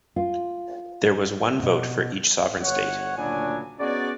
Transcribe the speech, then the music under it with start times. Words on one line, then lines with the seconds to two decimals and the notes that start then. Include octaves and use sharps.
There was one vote for each sovereign state.
0.16 F4
1.63 B2
2.62 G1 C#5 F#5
3.17 D2 A#2 C#3 F#3 D4 G#5
3.79 B3 C#4 D#4 F#4 G#4 D5